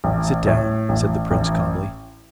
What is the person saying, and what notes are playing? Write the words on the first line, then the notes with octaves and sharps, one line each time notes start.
"Sit down," said the Prince calmly.
A1
A2
A1
A1